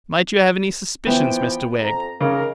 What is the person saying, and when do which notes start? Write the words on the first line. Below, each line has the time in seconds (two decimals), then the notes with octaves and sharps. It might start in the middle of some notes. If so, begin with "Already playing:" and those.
'Might you have any suspicions, Mr Wegg?'
1.07 E3 F3 B3 G5
1.81 F2 A#5
2.21 C#3 A#3 D#4 A#4